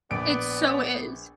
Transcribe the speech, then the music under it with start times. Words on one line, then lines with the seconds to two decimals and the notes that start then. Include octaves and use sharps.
It so is.
0.11 A#1 B3 D5 D7